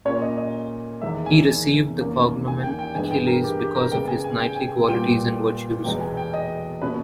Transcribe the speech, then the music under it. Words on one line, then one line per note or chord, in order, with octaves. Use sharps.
He received the cognomen Achilles because of his knightly qualities and virtues.
A#2 A#3 C#4 C#5
D#5
D#5
E2 D#3 G#3 E5
G#5
E2 D#3 A#3 C#4
G#5
G5
G5
G2 E3 G#3 B3 G#5
G5
A#4
G4
G4
A#4
C#3 G#3 B3 G5
G#5
G#5
G5
G#5
A#2 G3 B3 G5
E2 B2 G#3 B3 G5
G#5
G5
D#5
B2 A#3 C#4 B4